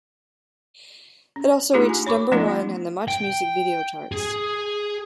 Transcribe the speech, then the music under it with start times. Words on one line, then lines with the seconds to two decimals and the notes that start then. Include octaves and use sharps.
It also reached number one on the MuchMusic video charts.
1.36 C#4
1.74 A3 D4 D#4 F4 G4 G#4
1.89 G#5
2.07 C#5 B5 C#6 D6
2.32 F3 A3 B3 C#4 D#4 F4
3.08 G5
4.12 G#4